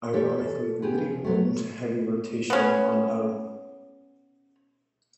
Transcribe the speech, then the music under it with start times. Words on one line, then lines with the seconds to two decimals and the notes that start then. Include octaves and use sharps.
Ironically, the video went into heavy rotation on Oh!
0.13 E3 G4 A4 C#5
0.38 A4
0.82 B3 G4 G#4 B4
0.98 F3
1.24 F#3 A3
2.50 B3 C#4